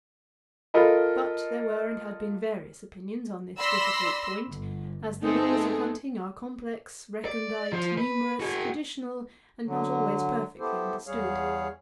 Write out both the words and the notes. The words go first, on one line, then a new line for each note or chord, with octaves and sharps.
But there were and had been various opinions on this difficult point, as the laws of hunting are complex, recondite, numerous, traditional, and not always perfectly understood.
F4 A4 A#4 D#5 B5
D5 B5 C6 E6 A#6
G1
A3 B3 C4 D#4 G#4 A4
D5
F3
B4
F#4 G#4
D3 F#3
B3 E4 G4 A4 C5
E2 G3 G#4 C#5 F5